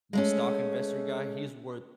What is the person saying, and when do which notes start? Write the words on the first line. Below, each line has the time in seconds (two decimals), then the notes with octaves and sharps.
the stock investor guy, he is worth
0.13 G#3 A3 C#4